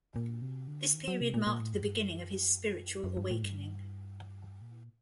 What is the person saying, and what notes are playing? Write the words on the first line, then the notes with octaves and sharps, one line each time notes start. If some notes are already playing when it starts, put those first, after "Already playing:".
This period marked the beginning of his spiritual awakening.
A#2
C3
D3
D#3
F#3
C3
A#2
A#2
A2
F#2
A2
G2
F#2
F#2
G2
A2
G2
A#2